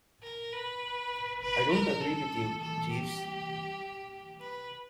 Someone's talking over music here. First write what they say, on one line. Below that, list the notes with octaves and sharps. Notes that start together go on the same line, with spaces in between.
I don't agree with you, Jeeves.
A#4
B4
B4
A#4
A4
A4
G4
B4